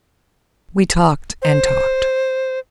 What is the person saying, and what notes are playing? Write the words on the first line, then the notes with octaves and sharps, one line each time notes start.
We talked and talked.
C5